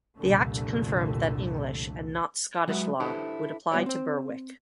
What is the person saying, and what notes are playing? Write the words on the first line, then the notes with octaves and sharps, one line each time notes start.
The Act confirmed that English and not Scottish law would apply to Berwick.
C2 F2 A#2 D3 A3
F#3 G#3 F#4 B4 E5
D4 E4 G4 A4 B4 C5
G3 B3 F#4 C#5 D5
C4 C5